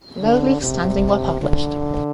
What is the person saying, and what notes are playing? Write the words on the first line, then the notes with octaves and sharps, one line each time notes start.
No league standing were published.
D3
C3
D3